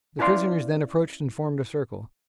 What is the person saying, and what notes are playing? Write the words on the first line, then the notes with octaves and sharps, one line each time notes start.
The prisoners then approached and formed a circle.
C#4 E4 B4 D5 F5 C6